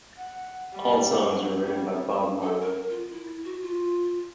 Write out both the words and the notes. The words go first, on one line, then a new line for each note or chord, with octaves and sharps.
All songs written by Bob Marley.
F#5
G3
F#3
G3
A4
A#4
F4
E4
F#4
F4